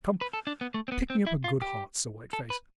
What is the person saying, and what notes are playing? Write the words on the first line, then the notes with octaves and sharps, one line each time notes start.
Come, pick me up a good heart, Sir White-face.
B4
A4
D4
B3
A3
C4
B3
C4
E4
F4
G4
A4
B4